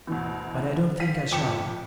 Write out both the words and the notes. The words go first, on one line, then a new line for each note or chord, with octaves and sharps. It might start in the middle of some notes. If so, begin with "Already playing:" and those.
But I don't think I shall.
D2 B2 E3
F5 B6 D#7
F2 G5 D6 C#7 E7